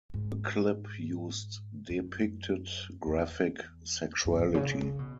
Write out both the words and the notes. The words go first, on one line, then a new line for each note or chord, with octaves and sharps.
The clip used depicted graphic sexuality.
G#2
F#2
E2
F#2
B2
A2
C#3
C#3
C#3
B2